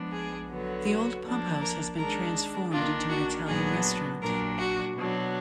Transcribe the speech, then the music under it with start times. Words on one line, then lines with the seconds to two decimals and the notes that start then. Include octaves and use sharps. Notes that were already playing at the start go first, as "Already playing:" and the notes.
The old pumphouse has been transformed into an Italian restaurant.
Already playing: F3 G#3 B3 D4
0.12 G#4
0.50 D3 F#3 B3
0.86 F#4
1.23 F3 A#3 D4
1.61 A#4
1.98 D#3 G#3 D4 A#4
2.72 D#3 A#3 D4 F4
3.09 F#4
3.46 A#2 F#3 B3 D4 G#4
4.21 A#2 F#3 D4 A#4
4.58 F#4
4.95 B2 F#3 D4